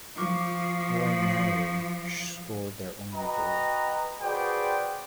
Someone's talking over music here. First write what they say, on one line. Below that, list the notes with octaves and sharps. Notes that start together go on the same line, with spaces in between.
Roy Myrie scored their only goal.
F3 F4 C#6 D6
F#4 B4 D#5 G5 A#5
F#4 G#4 B4 C5 D5 G5